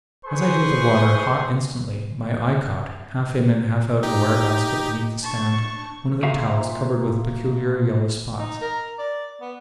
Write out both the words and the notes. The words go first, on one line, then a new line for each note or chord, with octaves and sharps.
As I drew the water, hot instantly, my eye caught, half in and half out of the wire basket beneath the stand, one of the towels covered with peculiar yellow spots.
G#4 B4 C5 C6 C#6
D#4 G4
D4 A5 C#6
A#2 F#4 E5 F5
D#4
A#4
D5
B3